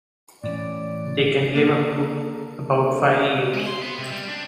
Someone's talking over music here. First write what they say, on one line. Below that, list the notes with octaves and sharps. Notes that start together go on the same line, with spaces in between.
They can live up to about five years.
A2 E3 C#4 D5
A#3 D4 A4 A#4
G#3
C6
B3
C3
G3
D4